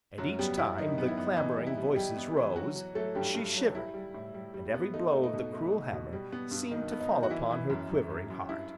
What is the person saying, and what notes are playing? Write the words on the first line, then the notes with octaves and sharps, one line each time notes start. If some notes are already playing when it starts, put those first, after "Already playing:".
And, each time the clamouring voices rose, she shivered, and every blow of the cruel hammer seemed to fall upon her quivering heart.
F#2 F#3 F#4
G3 B3 G4
B3 E4
D#3 D#4
B3
E4
B3
E3 D#4
G3
E4
G3
G3 G4
B3
E3
F#3 F#4
F#3
F#3 A3 A4
G2 G3 G4
G2
F#3
G3 E4
G3
A2
G3
G3
B3
A3 D#4
A3
D#4
B2
A3
A3
B2
G3
B3
G2
D#3 D#4
B3
D#4
D#3
F#4
E3 E4
E3
F#2
F#2
F#2
F#2
G2 E4